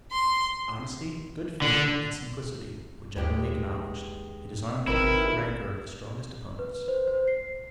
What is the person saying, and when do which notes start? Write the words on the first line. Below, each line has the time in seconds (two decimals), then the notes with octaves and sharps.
His honesty, good faith, and simplicity were generally acknowledged, and disarmed the political rancor of the strongest opponents.
0.12 C6
1.62 D3
3.16 D#2 G#3 G4 B4
4.87 G#1 C4 D#4 E4 A#4 B4
6.59 B4
6.88 C5
7.08 C5
7.28 C7